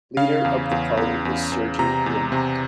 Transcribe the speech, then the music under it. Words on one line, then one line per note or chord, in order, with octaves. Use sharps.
Leader of the party is Sergey Yermak.
C#3 F5
E2
E2
E2
E2
E2
C3 A#5
E2
C3